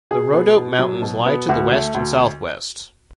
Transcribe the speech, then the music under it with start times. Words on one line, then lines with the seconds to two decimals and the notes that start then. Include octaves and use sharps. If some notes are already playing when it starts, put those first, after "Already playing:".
The Rhodope mountains lie to the west and southwest.
0.11 B2 G#4
0.34 B3
0.56 B2
0.79 F#3
1.02 B2
1.26 B3
1.49 D2 F#4
1.72 A3
1.94 D2